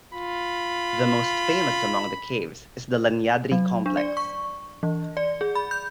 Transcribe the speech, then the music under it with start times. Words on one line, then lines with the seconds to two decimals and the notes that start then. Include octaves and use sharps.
The most famous among the caves is the Lenyadri complex.
0.13 F4 B5
3.52 F#3
3.86 D4
3.97 D5
4.17 C#6
4.83 E3
5.17 D5
5.41 G#4
5.55 B5
5.71 G6